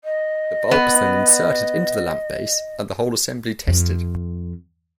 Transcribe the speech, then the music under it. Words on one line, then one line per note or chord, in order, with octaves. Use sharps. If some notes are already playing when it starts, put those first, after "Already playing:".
The bulb is then inserted into the lamp base, and the whole assembly tested.
D#5
B3
F2